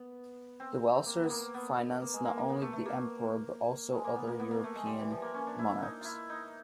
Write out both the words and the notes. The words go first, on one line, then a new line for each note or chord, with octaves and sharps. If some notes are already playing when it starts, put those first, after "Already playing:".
The Welsers financed not only the Emperor, but also other European monarchs.
Already playing: B3
C4
A#3
B3
A#3
B3
A#3
G#3
A#3
A#3
B3
A3
A3
A#3
G#3
A#3
B3
A#3
B3
A#3
A3
G#3
G3
E3
F3
A#3
C#4
D4
E4
D#4
E4 F4
D#4